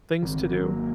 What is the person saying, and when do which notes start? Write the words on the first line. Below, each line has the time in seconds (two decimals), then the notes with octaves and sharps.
things to do?
0.22 G#1 C4
0.53 F#3
0.69 A#3